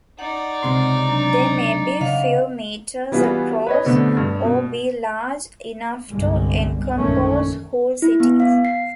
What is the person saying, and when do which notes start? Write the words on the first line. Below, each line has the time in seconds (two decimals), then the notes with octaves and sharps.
They may be few metres across or be large enough to encompass whole cities.
0.19 D#4 D5 F#5
0.63 C#2 C3 C6
1.08 F#3 D4 A#5
2.01 C#3 D#5 F5 F#5
3.12 E3 G3 B3 F4 F#4 G#4
3.66 B4 C#5 D#5
3.85 B2 D3 A3 B3 C4
4.17 G2
4.44 B2
6.10 G1 C2 D3 G3 G#3
6.97 A#1 F#2 D#3 G#3 A3 C#4
8.02 E4
8.20 B3
8.40 F5
8.65 C7